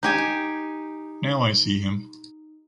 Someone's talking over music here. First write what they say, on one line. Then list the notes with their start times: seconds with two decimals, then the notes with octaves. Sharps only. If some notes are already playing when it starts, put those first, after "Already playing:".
Now I see him.
0.03 D#4 G4 G#5